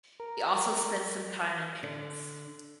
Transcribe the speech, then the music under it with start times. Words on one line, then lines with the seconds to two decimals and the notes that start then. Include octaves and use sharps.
He also spent some time in Paris.
0.20 A#4
1.83 D3